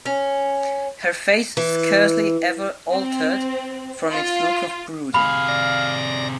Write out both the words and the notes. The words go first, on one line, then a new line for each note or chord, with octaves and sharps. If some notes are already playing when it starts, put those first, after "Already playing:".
Her face scarcely ever altered from its look of brooding.
C#4
E3
C4
F4
C3 G#4 F5 B5
D5 A#6